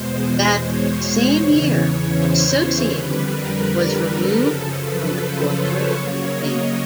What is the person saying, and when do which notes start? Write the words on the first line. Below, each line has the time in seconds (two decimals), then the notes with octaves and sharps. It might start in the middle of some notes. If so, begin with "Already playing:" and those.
That same year, "Associated" was removed from the corporate name.
Already playing: E2 B2 G#3 C5
0.25 C5
0.63 C#5
1.39 E2 C#3 E3 C#5
1.77 C#5
2.15 C5
2.90 F2 D3 G3 B4
3.29 A#4
4.04 A4
4.42 F#2 C#3 F3 A4
4.81 B4
5.19 C5
5.56 C#5
5.94 C#3 F#3 A#3
6.31 D#5